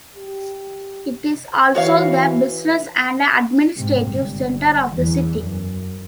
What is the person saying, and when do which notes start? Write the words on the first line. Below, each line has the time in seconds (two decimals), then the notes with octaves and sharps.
It is also the business and administrative centre of the city.
0.15 G4
1.75 E3 F#4 C#5 F5
3.77 G#2 C3
4.07 G1
4.93 E2
5.39 F#2